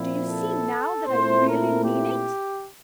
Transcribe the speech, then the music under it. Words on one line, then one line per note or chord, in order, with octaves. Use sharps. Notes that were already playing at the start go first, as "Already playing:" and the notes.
Do you see now that I really mean it?'
Already playing: A#2 F3 C4 E4
A4
A#2 A3 C4 E4 C5
A#4
G4